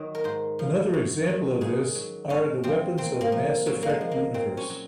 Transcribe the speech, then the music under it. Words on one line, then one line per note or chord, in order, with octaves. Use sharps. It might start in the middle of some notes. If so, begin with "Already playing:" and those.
Another example of this are the weapons of the Mass Effect universe.
Already playing: D#3 F#3
A#4
G#2 C5
F3
F#2
D#3 F#3
G#2 G#4
F#3
G#2 C#4
F3 C4
A#2 C4
A#3
F3
G#2 F#3
A#3
G#3
F3
A#3
A#2 C4
C#4
F#3